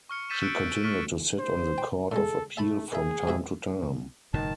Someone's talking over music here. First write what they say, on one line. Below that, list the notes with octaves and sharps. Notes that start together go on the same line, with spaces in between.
She continued to sit on the Court of Appeal from time to time.
C#6 F6 C#7
E6 G6 A6 B6 D#7 E7
E6 F#6 C#7 D7
C#6 F6 F#6 A6 B6 D#7
C5
G5
A2 G#3 A4
A3 E5 A5 B5
D#3 G#4 E5
G#2 F#4 E5
F#1 G#2 B2 D#3 A5